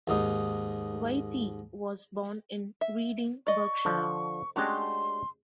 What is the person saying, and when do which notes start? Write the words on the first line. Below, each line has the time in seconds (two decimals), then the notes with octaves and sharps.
Waite was born in Reading, Berkshire.
0.07 D#2 G#2 D#4
2.81 E5
3.47 D5 D#5 C#6
3.85 D3 F3
4.56 G#3 A3 C#4 D4 F#4 G4 C6